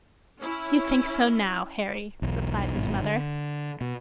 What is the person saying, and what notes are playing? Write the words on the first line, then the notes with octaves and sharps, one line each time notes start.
'You think so now, Harry,' replied his mother.
C#4 E4
B1 E2
G#1 G2 B2
D3
B2